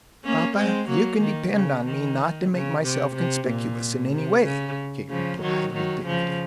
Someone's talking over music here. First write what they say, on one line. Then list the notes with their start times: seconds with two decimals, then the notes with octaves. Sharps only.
"Papa, you can depend on me not to make myself conspicuous in any way," Kate replied, with dignity.
0.25 A#3 C#4
0.57 G#3 C4
0.89 F#3 A#3
1.21 D#3
1.54 C#3
1.87 D#3
2.51 C#3
2.83 C3
3.16 C3
3.48 A#2
4.12 C3
4.45 C#3
5.09 C#3 F3
5.42 D#3 F#3
5.74 D#3 F#3
6.06 C#3 F3